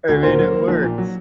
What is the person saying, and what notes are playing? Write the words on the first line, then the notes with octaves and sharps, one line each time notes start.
I mean, it works.
D2
A#2 A#4 C5
F#3
A#3
A#1
A#2
F#3